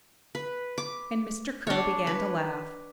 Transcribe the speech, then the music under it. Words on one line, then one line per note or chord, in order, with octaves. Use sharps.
And Mr. Crow began to laugh.
B4
D6
D4 C#5
B4